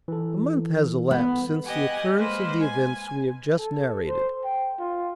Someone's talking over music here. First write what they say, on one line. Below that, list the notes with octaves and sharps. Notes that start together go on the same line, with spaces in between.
A month has elapsed since the occurrence of the events we have just narrated.
E3 A4
B3
G4 D#5 F#5 G#5
G#3 A#3 B4 C5
G#5
A4
C5
G5
F4